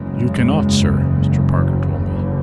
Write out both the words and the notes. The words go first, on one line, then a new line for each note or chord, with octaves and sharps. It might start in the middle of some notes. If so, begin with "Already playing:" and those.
"You cannot, sir," Mr. Parker told me.
Already playing: F#1 E2 C#3 G#3
F#3
D3